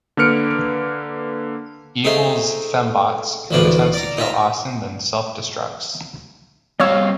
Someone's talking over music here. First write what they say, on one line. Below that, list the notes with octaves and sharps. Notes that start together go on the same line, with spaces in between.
Evil's fembots, who attempts to kill Austin, then self-destructs.
D3 A#3 B4 F6 C#7 D7
A3 D#4 G#4 C5 E5 F5
A1 D2 E3 F3 D4 C#6
D5 A#5
D#4 F4 E5 A#5
G3 C4 C#5 F5 C#6 E6